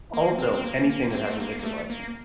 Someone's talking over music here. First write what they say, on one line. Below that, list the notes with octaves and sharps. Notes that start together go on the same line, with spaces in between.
Also, anything that has a liquor license.
A#3
C4
C4
A#3
A#3
A#3
C4
A3
A#3
A#3
A3
A#3